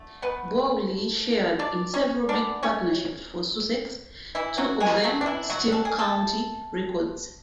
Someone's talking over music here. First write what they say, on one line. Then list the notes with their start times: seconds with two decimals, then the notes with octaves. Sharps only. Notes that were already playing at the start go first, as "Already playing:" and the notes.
Bowley shared in several big partnerships for Sussex, two of them still county records.
Already playing: D3 A3
0.22 B3 B4
1.59 D4 D5
1.94 C#4 C#5
2.29 E3 B3 D4 D5
2.63 C#4 C#5
4.35 E3 E4
4.57 F#3 F#4
4.80 G#3 G#4
5.03 D3 F#3 A3 F#4
5.21 D4
5.26 E3 E4
5.50 F#3 F#4
5.72 A4
5.85 G#4
5.99 A3 A4